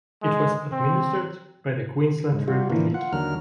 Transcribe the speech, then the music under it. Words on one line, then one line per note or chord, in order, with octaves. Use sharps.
It was administered by the Queensland Rugby League.
G#3
C4
G#2
G3 F4 F#4
A#2 D3 E3 F3 A#3
F4 F#5
D#2 D3 F#3 A#4 F6